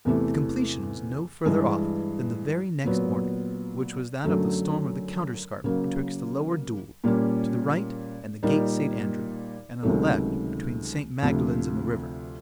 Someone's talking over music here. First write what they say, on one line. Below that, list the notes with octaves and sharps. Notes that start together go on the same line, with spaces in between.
The completion was no further off, than the very next morning; which was that of the storm of the counterscarp betwixt the Lower Deule, to the right, and the gate St. Andrew,--and on the left, between St. Magdalen's and the river.
E2 C3 E3 A3
G2 E3 G#3
A#2 F#3 B3
F#2 D3 F#3 A3
C#3 F#3 A#3
A#2 G3 A#3 C#4
A#2 G3 A#3 D#4
C#2 C3 D#3 F#3 A3
D2 C3 F3